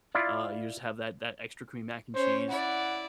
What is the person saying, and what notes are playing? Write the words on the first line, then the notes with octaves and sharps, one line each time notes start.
uh, you just have that that extra creamy mac and cheese,
E4 F4 D5
C#4 C5 C#5
E4 D5 F#5